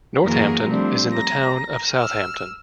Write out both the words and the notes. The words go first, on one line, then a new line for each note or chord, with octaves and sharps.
Northampton is in the Town of Southampton.
F#2 E3 A#3 F#4 G#4 A#4
F3 G3 A3 C4 D4
A#5 A#6
E6 F6